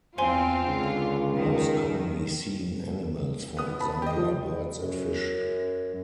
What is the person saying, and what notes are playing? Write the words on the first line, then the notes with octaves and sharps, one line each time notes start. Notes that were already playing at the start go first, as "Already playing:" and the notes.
Most commonly seen animals for example are birds and fish.
E2 C4 F4 C5 G#5 C6
C#2 D3
D#3
B3 D#6
A5 B5
G4 D#5
F3
F#2